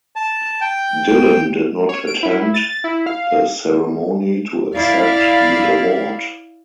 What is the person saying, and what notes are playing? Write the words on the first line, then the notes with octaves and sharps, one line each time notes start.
Dylan did not attend the ceremony to accept the award.
A5
G5
C#5
D7
E4
A6
E4
F5
E4 D5 F5